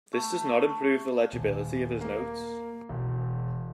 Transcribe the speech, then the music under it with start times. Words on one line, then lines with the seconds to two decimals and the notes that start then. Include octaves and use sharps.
This does not improve the legibility of his notes.
0.13 A3
1.32 D#1
2.01 A#3
2.89 E1